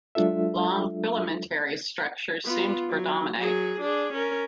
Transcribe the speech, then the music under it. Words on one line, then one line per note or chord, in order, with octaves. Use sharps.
Long filamentary structures seem to predominate.
F#3 G#3 D4 F4 A4 E5
B3 F4
F#3
F#3 G#4
D4 G#4
C#4 A#4